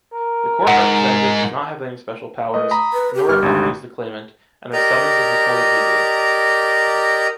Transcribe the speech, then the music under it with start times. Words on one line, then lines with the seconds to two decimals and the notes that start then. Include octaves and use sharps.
The court representative does not have any special powers, nor accompanies the claimant, and their summons is recorded legally.
0.13 A#4
0.67 G#2 F#5
2.54 A3 B4 D#5
2.71 A#5 B5 D#6
2.93 B4
3.15 G4
3.28 G1 G3 F6
3.42 G#1 D2 D4
4.73 G4 A#4 D5 D#5 A#5